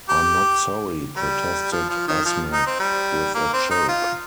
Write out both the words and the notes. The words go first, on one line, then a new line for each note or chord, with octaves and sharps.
"I'm not sorry," protested Esme, with a choke.
G4
G3
F3
F3
D#3
F3
D#4
C4
G3
A#3
C4
D#4
F4